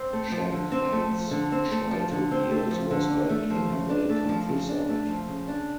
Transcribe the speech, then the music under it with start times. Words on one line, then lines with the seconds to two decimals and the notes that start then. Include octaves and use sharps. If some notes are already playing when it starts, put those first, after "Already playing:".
Shen Fan’s childhood years were spent in the countryside.
Already playing: C4
0.13 A3
0.32 F3
0.53 D3
0.72 C4
0.92 A3
1.11 F3
1.31 D3
1.52 C4
1.71 A3
1.91 F3
2.11 D3
2.31 C4
2.51 A3
2.71 F3
2.91 D3
3.10 D4
3.29 A3
3.50 F3
3.70 C#3
3.89 D4
4.09 A3
4.29 F3
4.49 C#3
4.69 D4
4.88 A3
5.08 F3
5.28 C#3
5.48 D4